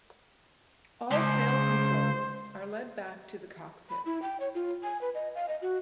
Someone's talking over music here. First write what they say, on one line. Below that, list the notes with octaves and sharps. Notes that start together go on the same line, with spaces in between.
All sail controls are led back to the cockpit.
C#2 C5
B5
E4
G5
C#5
F4
G#5
B4
D#5
F5
D#5
F#4